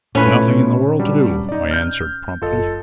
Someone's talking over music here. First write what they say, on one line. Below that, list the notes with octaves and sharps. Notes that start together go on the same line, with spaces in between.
"Nothing in the world to do!" I answered promptly.
A#2 A3 C#4 E4 F4 B4
F#3 G3 D4
D#4 D5
F6 G6
F#1 F4 A4 D#5